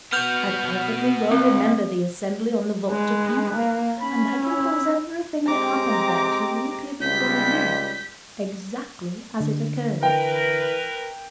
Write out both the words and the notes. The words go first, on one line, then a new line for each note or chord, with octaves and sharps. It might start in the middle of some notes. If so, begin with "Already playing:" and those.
I perfectly well remember the assembly on the Vulture Peak; and I can cause everything that happened there to reappear before you, exactly as it occurred.
B3 F#4 F6 G6 F7
C#2 C4
G#3 B4
A#3
C#4 B5
E4
G#3 C4 G4 A#5 D6
C#2 G3 G6 B6
D3
E3 A#4 B4 G5